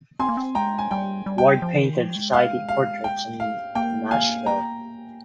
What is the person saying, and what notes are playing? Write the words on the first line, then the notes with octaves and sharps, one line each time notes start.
Ward painted society portraits in Nashville.
C4 G#5 C6
A#3
C4
G#3 G5 A#5
G#5
G3 G5
G3
G5
F3
D#3
F3
G#3
F5
F5
G5
F5
A#3 G5
F5 G#5
G5 A#5